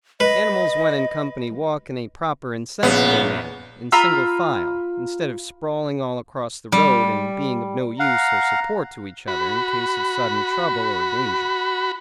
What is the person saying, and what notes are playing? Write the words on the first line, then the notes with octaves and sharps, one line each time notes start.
Animals when in company walk in a proper and sensible manner, in single file, instead of sprawling all across the road and being of no use or support to each other in case of sudden trouble or danger.
B4 D#5
A#1 C#3 B3
F4 A#5 B5 E6
G3
F5 F#5 A#5
F#4 B5